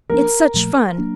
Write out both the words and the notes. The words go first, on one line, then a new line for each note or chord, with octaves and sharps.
It's such fun!
F3 A#3 D4 A#4
A#2 F3 A3
F#3 A#3 D4